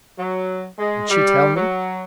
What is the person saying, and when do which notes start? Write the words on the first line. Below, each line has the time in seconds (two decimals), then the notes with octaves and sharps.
Would she tell me?
0.18 F#3
0.79 G#3
1.10 G3
1.55 F#3